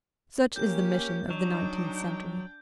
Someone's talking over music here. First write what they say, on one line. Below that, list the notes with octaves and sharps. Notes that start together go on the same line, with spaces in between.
Such is the mission of the nineteenth century.
A#3 C#4 G4 G6
F#3 D4 D#4 G5